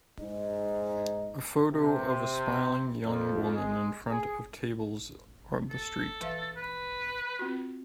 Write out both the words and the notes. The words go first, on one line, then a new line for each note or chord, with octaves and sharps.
A photo of a smiling young woman in front of tables on the street.
G#2 G#3 D#4
C3
F2
G#3
G#4
A4
E3 E5 F5
B4
C4 F4 F#4